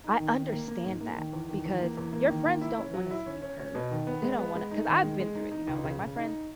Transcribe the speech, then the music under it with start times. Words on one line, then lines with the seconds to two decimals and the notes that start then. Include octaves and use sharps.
I understand that, because your friends don't wanna see you hurt. They don't wanna 'cause I've been through it, you know? Like, my friends
0.04 D#4
0.20 D#3
0.36 D#3
0.52 A#3
0.68 A#3
0.85 G#2
1.01 A#3
1.17 D#3
1.33 E2
1.49 D#3
1.65 E2
1.81 A#3
1.97 E2
2.13 A#3
2.29 D#3
2.45 A#3
2.61 E4
2.78 C#4
2.94 F#3
3.11 E4
3.26 C#4
3.42 C#4
3.59 C#4
3.75 B2
3.91 D#3
4.07 B3
4.23 G#3
4.38 B3
4.55 G#3
4.71 D#4
4.87 D#3
5.03 G#3
5.20 G#3
5.35 D#4
5.51 D#4
5.67 C#2
5.84 C#3
6.00 C#3
6.16 D#4